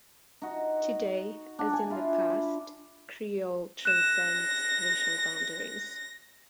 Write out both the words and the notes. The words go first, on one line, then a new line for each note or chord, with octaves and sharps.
Today, as in the past, Creole transcends racial boundaries.
D#4 F#4
D4 F#4
G#5
E4 F4
B5
F#6 A#6 E7